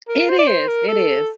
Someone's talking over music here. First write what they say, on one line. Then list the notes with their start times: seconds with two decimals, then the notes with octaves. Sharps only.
It is, it is.
0.09 A#4
0.29 C5
0.38 D5
0.48 C5
0.68 A#4
0.88 A4